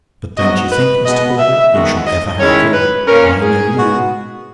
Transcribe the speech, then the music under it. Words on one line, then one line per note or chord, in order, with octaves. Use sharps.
But don't you think, Mr. Caudle, you shall ever have a key. I know you.
G#2 F#3 B3 F#4 D#5
B4
B2 G#3 B3 D#5
E5
D#3 G#3 B3 F#4
D#5
D#3 G#3 C#4 E4 C#5
B4
A#2 A#3 C#4 A#4
G#4
C#3 G#3 B3 F#4